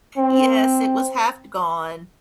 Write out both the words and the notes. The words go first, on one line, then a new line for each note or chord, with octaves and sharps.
Yes. It was half gone.
C4